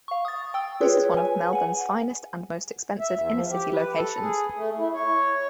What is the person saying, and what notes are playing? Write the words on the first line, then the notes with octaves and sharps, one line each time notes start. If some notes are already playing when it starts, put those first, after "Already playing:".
This is one of Melbourne's finest and most expensive inner-city locations.
F5 C#6
D#6 A6
G5 E6
F4 G#4 B4 C#5
G#5
F#5 G#5
E5
E2
F3
G4
B4
A4
G#4
A3
E4
C#5